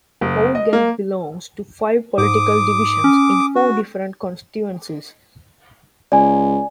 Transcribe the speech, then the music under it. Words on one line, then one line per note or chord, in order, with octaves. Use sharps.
Hougang belongs to five political divisions in four different constituencies.
F#1
D#5
A#3
G#2 D6 D#6
C#4
F#4
C#2 D5 G#5